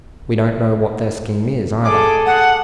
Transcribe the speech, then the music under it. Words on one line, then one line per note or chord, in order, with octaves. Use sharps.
We don't know what their scheme is either.
G#4 A4 D6
F#5